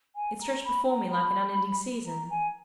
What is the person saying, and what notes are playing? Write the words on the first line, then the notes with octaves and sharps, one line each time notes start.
It stretched before me like an unending season.
G#5
A#5
B5
A#5
B5
A#5
G#5